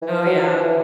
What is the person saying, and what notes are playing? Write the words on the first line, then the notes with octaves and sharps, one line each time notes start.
Oh, yeah.
E3
F3
F#3
F3
E3